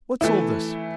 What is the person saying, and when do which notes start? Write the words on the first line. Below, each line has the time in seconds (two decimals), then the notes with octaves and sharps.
'What's all this?
0.21 E3 A3 E4